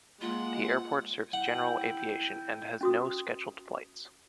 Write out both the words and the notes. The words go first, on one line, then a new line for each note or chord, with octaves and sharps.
The airport serves general aviation and has no scheduled flights.
G#3 A#3 F4 F#5
E4 F#5 G5
C#4 F#4 D#6